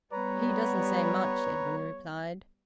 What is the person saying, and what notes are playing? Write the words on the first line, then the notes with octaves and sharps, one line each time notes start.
"He doesn't say much," Edwin replied.
G3 B3 B4 C#5 A#5